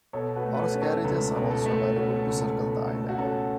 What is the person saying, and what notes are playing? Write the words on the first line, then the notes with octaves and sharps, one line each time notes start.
Horse carriages are also available to circle the island.
B2 A4 C#5
F#4 B4
A3
B4
A4 C#5
C#4
A4 C#5
C#2 A4
B2
A4
A3
C#4 F#4
A4
C#2
A4
B2
A4
A3 A4
F#4
C#4 A4